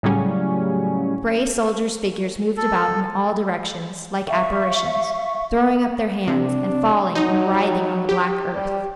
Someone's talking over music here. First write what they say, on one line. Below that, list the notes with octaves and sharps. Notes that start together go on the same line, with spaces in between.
Grey soldiers' figures moved about in all directions like apparitions, throwing up their hands and falling and writhing on the black earth.
A2 C#3 F#3 G3 C#4
A4
E5 F5 C#6
C3 D4
F#3 D#4
G4
G3